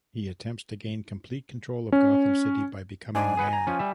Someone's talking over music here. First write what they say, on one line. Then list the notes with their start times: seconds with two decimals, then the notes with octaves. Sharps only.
He attempts to gain complete control of Gotham City by becoming Mayor.
1.92 C#4
3.15 G#2 D4 G#5
3.37 G#4 B4 F#5
3.53 A#5
3.67 F3 C#4
3.79 G3 E5